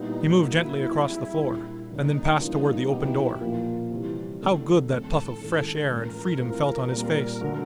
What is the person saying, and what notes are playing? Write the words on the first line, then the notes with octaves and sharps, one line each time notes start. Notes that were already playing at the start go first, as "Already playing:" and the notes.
He moved gently across the floor, and then passed toward the open door. How good that puff of fresh air and freedom felt on his face!
Already playing: A#2 G3 B3 D#4 E4 G4
F#3 A#3 D#4 E4 F#4
G3 C4 D#4 G#4
A#2 G3 A#3 D4 G4
D3 F#3 A#3 C#4 D#4
E3 G3 A#3 C#4 D#4 F4
B2 F#3 B3 D#4 E4 G4
A#2 F3 A#3
C3 E3 G3
D3 F#3 A3 C4 D#4
A2 E3 G#3 C4 A4
D#3 G#3 C#4 E4
A2 E3 G#3 C#4 F4 A#4
E3 A3 C4 F4 A#4
A#2 G3 C4
D3 F#3 A3 D4 F#4